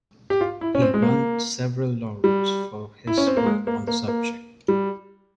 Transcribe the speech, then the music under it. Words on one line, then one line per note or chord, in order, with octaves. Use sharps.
He won several laurels for his work on the subject.
G4
F4
E4
C#4
C4
G#3
A#3
G3
E4
C#4
C4
A#3
G#3
A#3
A#3
A#3
G3